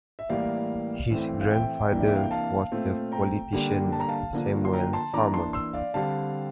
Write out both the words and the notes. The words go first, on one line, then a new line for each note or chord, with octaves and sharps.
His grandfather was the politician Samuel Farmer.
E5
A2 E3 G3 A#3 D5 F5
A2 E3 A3 C4
F5
E5 G5
C3 E3 A#3 D4
D5
E5
F5
G5
F5 A5
A#2 A3 C4
G5 A#5
D3 G3 A#3 D4
A5
A#5
F5 A5
D3 F3 A#3 D4
C6
G5 A#5
A5 C6
E3 A#3 D4 A#5 D6
A5 C6
C6 E6
D5 F5
D3 G3 C4 F5 A5